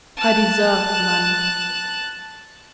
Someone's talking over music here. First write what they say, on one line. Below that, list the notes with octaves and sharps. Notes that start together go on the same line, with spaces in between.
I deserved none.
A5 F#6